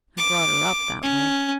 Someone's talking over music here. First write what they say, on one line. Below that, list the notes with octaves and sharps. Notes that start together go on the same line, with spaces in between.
I brought her up that way.
D6
C#4